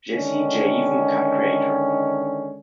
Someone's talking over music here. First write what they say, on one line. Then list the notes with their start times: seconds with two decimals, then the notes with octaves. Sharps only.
Jazzy Jay-even Cut Creator.
0.11 D3 D#3 G#3 C#4